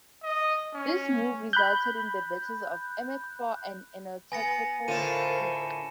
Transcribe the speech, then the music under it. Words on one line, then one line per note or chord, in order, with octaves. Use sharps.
This move resulted in the Battles of Emuckfaw and Enotachopo Creek.
D#5
C#4
B5 F#6 G6
B3 G#5 A#6 C#7
A2 D3 F4 A#4 C5 D#7 E7